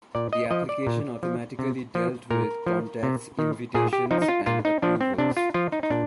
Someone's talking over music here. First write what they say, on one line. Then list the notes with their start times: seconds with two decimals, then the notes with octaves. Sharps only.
The application automatically dealt with contacts invitations and approvals.
0.15 A#2 D5
0.33 D#5
0.51 F3 D#5
0.69 D5
0.87 A#2
1.23 F3
1.59 C3
1.95 F3
2.30 A#2 A#4
2.67 F3
3.03 C3
3.39 D#3
3.74 A#2 G#4
3.93 G4
4.11 F3 D#4
4.22 D#4
4.28 F4
4.46 A#2 F4
4.65 D#4
4.82 F3 D4
5.01 C4
5.18 C3 D4
5.37 F4
5.54 F3 F4
5.72 D#4
5.83 D#4
5.90 A#2 D4